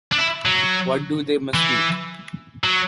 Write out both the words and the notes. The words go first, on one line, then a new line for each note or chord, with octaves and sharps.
What do they must eat?
D4
E4
F#3
E3
F#3